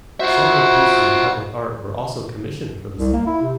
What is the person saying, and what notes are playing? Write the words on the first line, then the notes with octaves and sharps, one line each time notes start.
Several pieces of public art were also commissioned for the site.
F4 F#4 C5 E5
C2
A#3
E4
C3